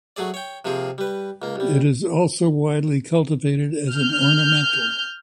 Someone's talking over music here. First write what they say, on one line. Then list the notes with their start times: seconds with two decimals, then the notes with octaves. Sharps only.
It is also widely cultivated as an ornamental.
0.16 F#3 A3 G#4 D5
0.34 C#5 G5
0.65 C3 F3 A#3 C4 G#4
0.98 G3 B4
1.42 C#2 A#3
1.56 C2 G3
3.94 F6 G6